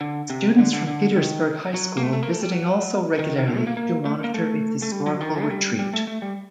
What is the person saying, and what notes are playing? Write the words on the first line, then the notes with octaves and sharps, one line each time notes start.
Students from Petersburg High School visiting also regularly to monitor its historical retreat.
D3
C3
D3
D3
D3
D#3
F#3
A#3
A3
A3
A#3
A3
G3
F#3
D#3
D#3
D3
A3
A#3
A#3
A3
A#3
A3
A3
G3
F#3
D3
D#3
A3
G3
G3
A3
A3
G3